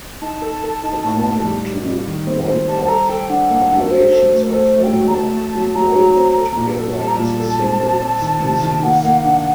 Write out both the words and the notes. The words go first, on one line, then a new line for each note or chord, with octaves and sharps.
According to Wolpoff, populations of "Homo" evolved together as a single species.
D#4 A5
A4
A4
D#4
A2
D#4
G3
G3
G3
D#3
C4
C4
G3 A5
A5
A4 A#5
A4 G5
D4 F#5
A#3
D4
A#4
F#3 C5
A4
A3
A#4
A4 C5
A3
G5
F#3
A#5
A3 A5
A3
F#3
F#3 A#5
F#3
C4
A4
A#2
A4
G3 A5
A#5
A#2 A5
A4
C4
C4
C4
D#3
C3
D#3
A#3 F#5
A#3
D4